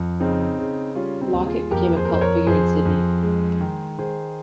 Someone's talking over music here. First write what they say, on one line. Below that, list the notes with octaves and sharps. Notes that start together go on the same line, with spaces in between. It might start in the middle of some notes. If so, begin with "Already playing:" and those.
Lockett became a cult figure in Sydney.
Already playing: F2
C#3 C4 D#4
C#3
G3 C#4 F4
C4 D#4
D#2
F4 G#4
F2 G4 A#4
G#4 C5
A#4
F2 C5
A#4 C#5
F2 G#4 C5
F2
G#3
D#3
D#3 G#4 C5